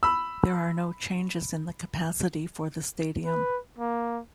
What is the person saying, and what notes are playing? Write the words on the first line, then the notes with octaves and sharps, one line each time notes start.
There are no changes in the capacity for the stadium.
B5 E6
B4
A#3